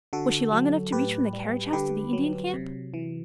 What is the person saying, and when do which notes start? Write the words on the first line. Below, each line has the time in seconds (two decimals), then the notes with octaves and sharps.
Was she long enough to reach from the carriage house to the Indian camp?
0.13 D3 F#4 A4
0.52 F#3
0.92 A2 G4 B4
1.33 G3
1.73 D3 G4 B4
2.13 F#3
2.54 C3
2.94 E3